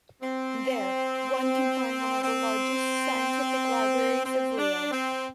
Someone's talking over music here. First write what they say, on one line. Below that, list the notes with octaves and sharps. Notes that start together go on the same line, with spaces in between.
There, one can find one of the largest scientific libraries of Rio.
C4
C4
C4
D4
C4